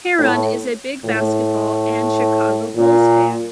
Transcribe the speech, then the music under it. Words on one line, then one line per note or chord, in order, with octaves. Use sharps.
Herron is a big basketball and Chicago Bulls fan.
A2
A2
A#2